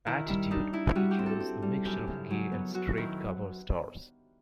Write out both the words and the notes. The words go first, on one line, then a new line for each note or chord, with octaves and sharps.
Attitude features a mixture of gay and straight cover stars.
D#3 E4
G3 E4
D4 D#4
D4 E4
G3 F#4
G4
C4
A4
C4
G3
F#2 G4
C#3
F#3
B3
F#3 F#4
D#3 E4